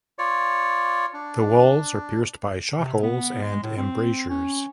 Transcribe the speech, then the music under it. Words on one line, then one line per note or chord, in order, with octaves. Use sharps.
The walls are pierced by shot holes and embrasures.
F4 C#5 D5
D4
C3
B3
G#3
A2
C4
C#4